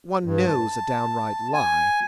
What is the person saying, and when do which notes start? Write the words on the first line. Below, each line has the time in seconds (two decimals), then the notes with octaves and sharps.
One knows a downright lie.
0.24 G2
0.47 A5
1.53 G#5